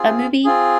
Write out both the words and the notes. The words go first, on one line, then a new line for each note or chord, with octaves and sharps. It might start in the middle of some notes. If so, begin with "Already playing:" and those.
a movie?
Already playing: C4 F4 G#4
C4 F4 G#4